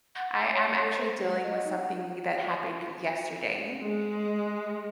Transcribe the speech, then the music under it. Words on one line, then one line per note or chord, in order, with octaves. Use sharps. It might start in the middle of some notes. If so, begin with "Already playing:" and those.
I I'm actually dealing with something that happened yesterday.
F#5
F#5
C#5
A4
C5
G#3
D#5
D#4
F#5
G#3